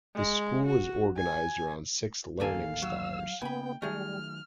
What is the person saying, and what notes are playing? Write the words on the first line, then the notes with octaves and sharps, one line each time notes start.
The school is organised around six Learning Stars.
G#3
F#4
G#5
A1 D#2 A#3 A4 F5 G#5
F#3 E6
C#3 A#3 B3 G5 G#5 B5
D#3 F#3 G3 A3 G#4 F6